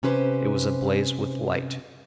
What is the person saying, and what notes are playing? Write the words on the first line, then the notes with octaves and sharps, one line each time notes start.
It was ablaze with light.
C3 C#4 G4 B4 C5